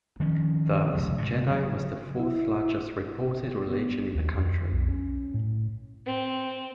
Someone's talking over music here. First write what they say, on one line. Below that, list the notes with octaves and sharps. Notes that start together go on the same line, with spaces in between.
Thus, "Jedi" was the fourth-largest reported religion in the country.
D#3 F3 C#4
F1 C#2
G#2 C3
C#3 F#3
E4
B3
D#2
F2
B1
C#4
A2
C4